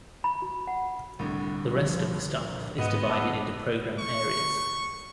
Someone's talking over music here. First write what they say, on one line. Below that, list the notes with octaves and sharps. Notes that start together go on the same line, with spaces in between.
The rest of the staff is divided into program areas.
B5
F#4
F#5
C2 A2 D3
F3
A#2
C#2 G#2 B3 D#5
A5 D6 E6
C#6